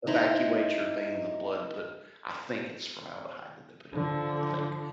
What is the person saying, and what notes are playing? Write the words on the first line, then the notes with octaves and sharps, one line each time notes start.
evacuate your veins of blood and put I think it's formaldehyde that they put in there, I think.
D#4 E4 C5
D3 F3